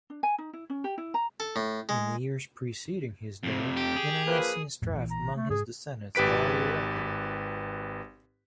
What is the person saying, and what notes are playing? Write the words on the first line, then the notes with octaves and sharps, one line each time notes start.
In the years preceding his death, internecine strife among his descendants had already erupted.
D4
G#5
D#4
E4
C#4
G4
E4
A#5
A4
A2
G#3
F2 C3
G4
G#4
F3 A#3 B4
A#1 F2 A2
A#1 A#2 E3
A#5
A3
G#2 G#4
G#1 G4 B4 B6 D7